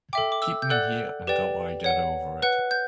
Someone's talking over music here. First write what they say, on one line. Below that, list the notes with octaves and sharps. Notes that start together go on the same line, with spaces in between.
Keep me here until I get over it.
A4 E5 G5 D6
D6
E6
G6
A4 D5 F#5 F#6
G4 B4 D5 G5
C#5 F#5
B4 F#5 F#6
G6